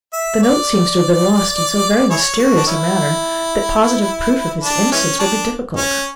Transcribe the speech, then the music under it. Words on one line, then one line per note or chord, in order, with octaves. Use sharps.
"The note seems to have been lost in so very mysterious a manner, that positive proof of his innocence will be difficult."
E5
D5
E4 G#4 C#5
F#4
D4
C#4 E4
D4
E3 G#3 C#4
F#3 D4
C#4